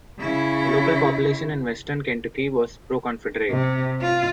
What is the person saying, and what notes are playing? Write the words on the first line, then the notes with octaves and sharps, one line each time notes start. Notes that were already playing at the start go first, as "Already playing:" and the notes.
The local population in western Kentucky was pro-Confederate.
C#3 E4
C3
F4